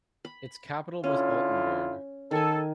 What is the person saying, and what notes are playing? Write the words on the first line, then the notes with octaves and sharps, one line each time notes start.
Its capital was Altenburg.
B5
D3 C#4 E4 F4
D#3 A4 G#5